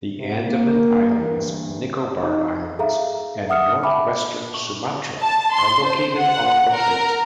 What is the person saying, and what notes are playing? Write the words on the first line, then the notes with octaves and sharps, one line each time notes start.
The Andaman Islands, Nicobar Islands, and northwestern Sumatra are located on the plate.
C3
A#3
D2 G2 E3
D#4
G#4 A4 E5 F5 A#5
E5 F#5 D#6 F6 C#7
E5 G5 A5 B5 D6
C#6
A5
C6
C5
F#5
A#4